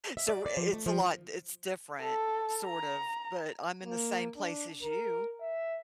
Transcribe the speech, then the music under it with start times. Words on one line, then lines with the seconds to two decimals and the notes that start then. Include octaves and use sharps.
So, i it's a lot it's different, sort of, but I'm in the same place as you.
0.17 E5
0.29 D5
0.46 D5
0.57 F3
0.73 A3
0.86 F3
2.02 A4
2.65 A#5
3.85 A#3
4.37 D4
4.83 A#4
5.40 E5